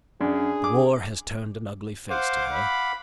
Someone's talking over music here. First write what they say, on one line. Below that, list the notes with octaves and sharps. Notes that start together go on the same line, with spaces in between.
The war has turned an ugly face to her.
F#2 D4 G#4
D6
C5 F5 F#5 D6
B5